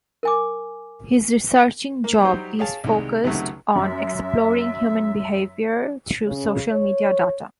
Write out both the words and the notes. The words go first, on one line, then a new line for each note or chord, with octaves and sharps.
His researching job is focused on exploring human behavior through social media data.
A#4 G#5 D6
A#3
F#3 G3 D#4 C5
G#4 C#5 F5 A5
C2 D#3 G#3
C#2 F#2 C3 D#3 F#3 A3
F#2 E5
C#3
C#5